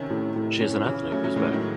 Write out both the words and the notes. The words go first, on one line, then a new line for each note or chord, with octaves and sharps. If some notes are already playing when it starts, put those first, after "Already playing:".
She is an ethnic Uzbek.
Already playing: C3 D#3 C#4
A2
A2
C#4
C#3 E3 C#4
F#3 A3 C#4
F#3 A3
A2 E3 G#3
D#3 F#3